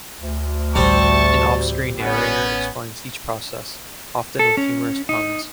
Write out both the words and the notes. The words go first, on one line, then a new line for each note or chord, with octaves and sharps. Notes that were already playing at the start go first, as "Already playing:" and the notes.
An off-screen narrator explains each process, often with humorous puns.
D2
A1 D3 G3 C4 A5 C#6
B3 C#4
A4
C#4
D#4